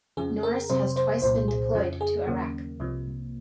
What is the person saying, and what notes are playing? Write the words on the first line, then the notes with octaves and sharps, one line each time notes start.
Norris has twice been deployed to Iraq.
F2 C#3 F3 G#4
A#4
F2 C3 F#3 C5
C5
C2 A#2 F#3 C5
G#4
F2 C#3 F3
G#4
D#2 C#3 F#3 A#3
C2 C3 F3